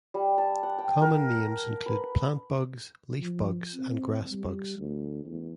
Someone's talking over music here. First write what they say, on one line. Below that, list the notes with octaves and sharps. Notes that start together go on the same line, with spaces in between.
Common names include plant bugs, leaf bugs, and grass bugs.
G3
A5
F#5
G5
A#4
B4
F3
C4
G3
D2
E2